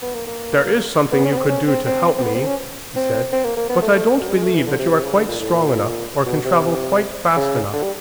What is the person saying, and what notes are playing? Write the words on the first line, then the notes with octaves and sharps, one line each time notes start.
"There is something you could do to help me," he said, "but I don't believe that you are quite strong enough or can travel quite fast enough."
B3
A#3
A#3
B3
C#4
B3
C4
C#4
C4
C4
C4
B3
C4
C#4
C4
C4
A#3
A#3
B3
A3
A3
A#3
F#3
G3
G#3
A3
E3
D3
C3
C3
C#3
D3
A#2
A2
A#2
B2
C3
C#3
D3
G3